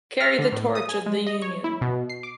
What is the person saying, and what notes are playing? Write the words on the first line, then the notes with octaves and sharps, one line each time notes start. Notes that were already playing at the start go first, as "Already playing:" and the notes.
Carry the torch of the Union!
F6
D3
A2
D#6
G#5
G#3
D#5
C#5
E4
B2
C7
D6